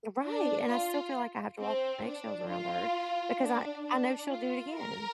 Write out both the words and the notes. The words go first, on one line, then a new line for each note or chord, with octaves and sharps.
Right, and I still feel like I have to walk on eggshells around her because I I know she'll do it again.
D4
F4
C4
D4
F4
D4
D4
F4
A#4